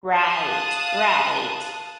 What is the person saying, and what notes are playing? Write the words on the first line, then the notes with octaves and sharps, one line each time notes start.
Right, right.
F5 A5 D#6 F#6